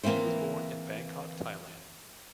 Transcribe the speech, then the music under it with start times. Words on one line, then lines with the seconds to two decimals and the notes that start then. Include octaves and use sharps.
She was born in Bangkok, Thailand.
0.03 E3 A#3 C4 E4 C5